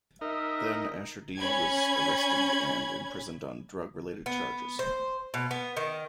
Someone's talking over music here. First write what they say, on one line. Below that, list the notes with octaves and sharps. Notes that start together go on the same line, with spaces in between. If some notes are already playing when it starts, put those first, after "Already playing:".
Then Asher D was arrested and imprisoned on drug related charges.
D#4 A#4 D#5 E5
C#4 B5 G#6
B3
C5
B2
B3
D#3